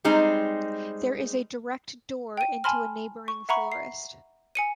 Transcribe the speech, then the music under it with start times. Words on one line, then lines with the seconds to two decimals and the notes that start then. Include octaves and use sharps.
There is a direct door into a neighbouring florist.
0.04 G3 G#3 C4 D#4 G#4
2.37 G5 D#7
2.64 G#5 A5 B5 C6 F6
3.28 C#6
3.49 E5 F#5 A#5 B5 C#6
3.72 C7
4.55 G#5 C#7 D#7